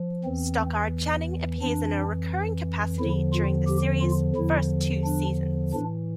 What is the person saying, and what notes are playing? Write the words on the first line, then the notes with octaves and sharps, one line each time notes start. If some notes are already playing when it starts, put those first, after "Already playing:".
Stockard Channing appears in a recurring capacity during the series first two seasons.
Already playing: F3
E2 E3 C4
F2 E3 D4
E2 D3 F3 E4
F4
G4
F4
E2 D3 F3 E4
D4
A2 E3 D4